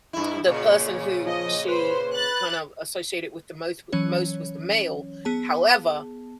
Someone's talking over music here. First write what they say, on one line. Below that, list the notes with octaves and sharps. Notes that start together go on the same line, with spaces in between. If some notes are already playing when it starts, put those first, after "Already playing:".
the person who she kind of associated with the most with the most was the male. However,
G2 E4
A#2 C#3
F3 D#5
B4 C5
F#6 A6
E3 F#3 C#4 C#5
B3 G#4 A5